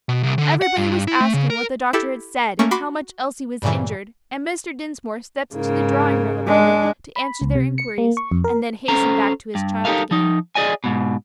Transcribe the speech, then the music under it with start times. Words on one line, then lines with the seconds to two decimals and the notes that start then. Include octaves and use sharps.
Everybody was asking what the doctor had said, and how much Elsie was injured, and Mr. Dinsmore stepped into the drawing-room a moment to answer their inquiries, and then hastened back to his child again.
0.09 B2
0.23 C2
0.38 D3
0.62 F#5
0.76 G2
1.08 E4
1.20 A3
1.34 C#3
1.50 A#4
1.93 E4 G4 A4
2.59 A3 A#3 C#4 C#6
2.71 F#4 B5 C6 D6
3.62 G2 A#2 C#3 E3
5.54 G#2 C#3 A#3
6.46 G#3 D4
7.16 B5
7.42 C#2
7.55 C3
7.78 C#7
7.98 A#3
8.17 C#6
8.31 F2
8.44 A#4
8.88 C#4 A4 C5 A#5
9.55 G2
9.85 D#4 G4 A4 A#4 F5
10.11 F3 D#4
10.55 G#4 D5 D#5 G#5
10.84 G#2 B2